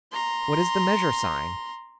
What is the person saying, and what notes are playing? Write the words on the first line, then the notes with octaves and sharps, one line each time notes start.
"What is the measure-sign?"
A#5 C6